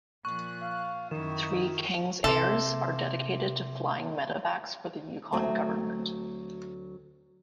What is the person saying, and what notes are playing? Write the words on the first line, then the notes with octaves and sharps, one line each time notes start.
Three Kings Airs are dedicated to flying medevacs for the Yukon Government.
A#2 F3 C#6 F#6
F5
F#2 D#3 D#4 E4 E7
C3 A4 E5 C6 D6
D2 F#3 A3 C4